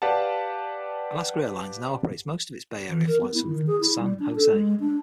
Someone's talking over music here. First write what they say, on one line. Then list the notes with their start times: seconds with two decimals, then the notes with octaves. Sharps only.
Alaska Airlines now operates most of its Bay Area flights from San Jose.
0.02 G4 B4 D5 F5 F#5 A5
2.90 E3
3.08 A#4
3.21 B3
3.34 E4
3.47 D#3
3.67 G#4
3.81 E4
3.99 G3
4.19 D4
4.36 A4
4.53 G#3
4.80 D4